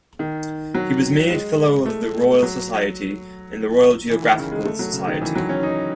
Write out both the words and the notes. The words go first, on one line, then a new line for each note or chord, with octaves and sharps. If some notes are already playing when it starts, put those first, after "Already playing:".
He was made fellow of the Royal Society and the Royal Geographical Society.
D#3
F#3
G#3
A3
F#3
E3
D#3
C#3
G#3
A3
F#3
C#3
D#3
E3
F#3
C#4
D#4